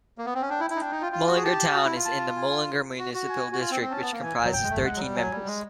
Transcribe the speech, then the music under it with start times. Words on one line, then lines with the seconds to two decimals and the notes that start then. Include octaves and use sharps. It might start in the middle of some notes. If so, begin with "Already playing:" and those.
Mullingar town is in the Mullingar Municipal District which comprises thirteen members.
0.18 A#3
0.26 B3
0.34 C4
0.42 C#4
0.50 D4 G5
0.60 E4
0.70 E4
0.76 D#4
0.81 D4 G5
0.92 D#4
1.02 F4
1.12 F4
1.27 F#4
1.36 G#4
1.44 G4 A5
1.74 F#4
1.85 E4
1.95 F4
2.06 A5
2.36 G#5
2.98 F#4
3.14 F#4
3.30 G#5
3.53 F#4
3.60 F4
3.71 C4
3.82 C4
3.91 C#4 A5
4.02 B3
4.12 A#3
4.22 E3 G#5
4.43 F#3
4.53 G5
4.63 G#3
4.69 A3
4.84 G#3 F#5
4.96 F#3
5.00 G3
5.16 F#3 G#5
5.32 G3
5.46 G#3